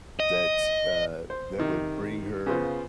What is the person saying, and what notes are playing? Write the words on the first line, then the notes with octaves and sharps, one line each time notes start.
that, uh, that would bring her,
D#5
C5
C3 D#3
C#3 B3 F4 C5